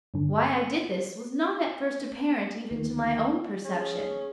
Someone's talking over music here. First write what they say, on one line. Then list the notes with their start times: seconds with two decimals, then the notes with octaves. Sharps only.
Why I did this was not at first apparent even to my own perception.
0.14 G2 D3
2.71 D2 D#3 F3
3.65 C#4 G#4